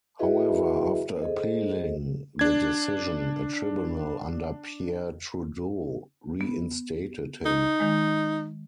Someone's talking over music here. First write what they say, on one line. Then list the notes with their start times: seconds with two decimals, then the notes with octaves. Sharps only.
However, after appealing the decision, a tribunal under Pierre Trudeau reinstated him.
0.19 E4 F#4 G#4 B4 D#5 E5
1.22 G#4 A4 C5 D#5
2.39 D4 G#6
6.41 B3
7.45 D#4
7.80 D#3 G#3